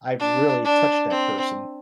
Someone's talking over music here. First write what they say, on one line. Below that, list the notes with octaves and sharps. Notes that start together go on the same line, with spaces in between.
I've really touched that person.
D4
D4
C4